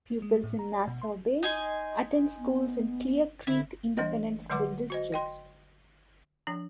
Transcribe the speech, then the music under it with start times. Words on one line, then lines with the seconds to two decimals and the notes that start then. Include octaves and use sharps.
Pupils in Nassau Bay attend schools in Clear Creek Independent School District.
0.22 G#3
0.44 A2
0.59 A#5
0.74 D5
0.87 B2
1.02 C6
1.43 D#4 D#5 G#5 C6
2.38 B3
3.47 D3 E4
3.97 E3 G3 A#3 D4 D#5
4.50 D3 F#3 G#3 B4 F#5 D6
4.90 F#4 C5 D#5
5.12 D#5 G5 C6
6.47 F3 D4